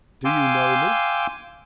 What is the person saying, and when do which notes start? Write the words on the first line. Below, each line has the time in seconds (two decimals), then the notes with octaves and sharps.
"Do you know me?"
0.25 F5 G5 G#5 C6 D6 E6